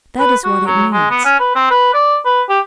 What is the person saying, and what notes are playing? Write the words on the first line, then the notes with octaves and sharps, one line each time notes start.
That is what it means.
B4
F#4
F#3
G#3
B3
C#4
B4
C4
B4
D5
B4
G4